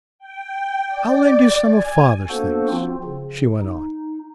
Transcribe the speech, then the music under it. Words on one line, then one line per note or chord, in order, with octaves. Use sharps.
"I'll lend you some of Father's things," she went on.
G5
D5
G#5
A#3 B3 D4 F#4 A4 C5
F3 C4 F4
C#3
D#4